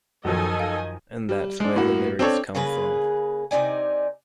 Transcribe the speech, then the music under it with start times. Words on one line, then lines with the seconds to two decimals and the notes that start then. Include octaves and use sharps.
And that's where the lyrics come from.
0.25 F#2 D#3 F3 F#3 A4 D#5 G#5
0.59 F5
1.29 G3
1.60 G#3 D4
1.76 A2 A#3 F#4
2.19 C4 D4 A4 C#5
2.55 C#3 A#3 G#4 B4
3.51 C3 D#4 D5 G#5